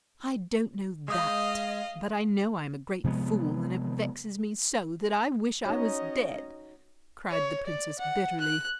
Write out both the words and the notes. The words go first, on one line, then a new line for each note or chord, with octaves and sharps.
"I don't know that; but I know I am a great fool, and it vexes me so, that I wish I was dead," cried the princess bitterly.
G#3 D#5 F5 D#6 G6
C3 F3 G#3 B3
C#4 D#4 F#4 C#5 D#5
C#5
D5
F#5
F#6